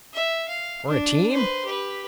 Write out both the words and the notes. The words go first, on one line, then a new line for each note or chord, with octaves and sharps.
'Or a team?'
E5
F5
D4
B4 C5
G4 B4